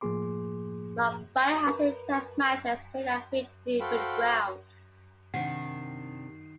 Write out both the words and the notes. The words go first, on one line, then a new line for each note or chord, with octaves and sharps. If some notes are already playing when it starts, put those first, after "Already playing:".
Mumbai has seen Test matches played at three different grounds.
A2 F3 A#3 G#4 C6 D6
A#4 B4
F#4 A4 C5 F5 G5 B5
C3 D#3 D4 F#5 C7